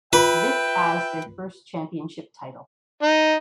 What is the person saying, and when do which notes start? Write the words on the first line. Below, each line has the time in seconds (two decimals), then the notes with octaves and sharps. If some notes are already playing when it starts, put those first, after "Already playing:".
This as their first championship title.
0.13 F4 B4 E5 G5
3.03 D#4